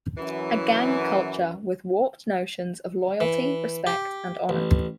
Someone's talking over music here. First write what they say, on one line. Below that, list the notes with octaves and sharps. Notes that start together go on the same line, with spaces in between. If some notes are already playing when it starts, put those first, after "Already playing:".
A gang culture with warped notions of loyalty, respect and honour.
F#2 E3
E3
G4
A1